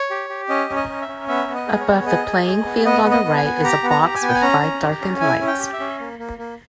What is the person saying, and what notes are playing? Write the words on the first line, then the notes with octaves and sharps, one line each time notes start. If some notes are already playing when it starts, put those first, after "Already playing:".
Above the playing field on the right is a box with five darkened lights.
Already playing: C#5
G4
G4
C#4 D#5
C#4
D#5
C#4
E5
C#4
B3 E5
B3
D#5
G#4
C#5
B3
G#4 D#5
G#4
G#4
B3
B3 D#5
B3
D#5
B3
G#5
B3
G4 A#5
B3
A#5
G4
G#5
B3
G5
G#5
C#4 A#5
C#4
G4
C#4
E4 G#5
C#4
G5
G4
E5
C#4
A#3
A#3
A#3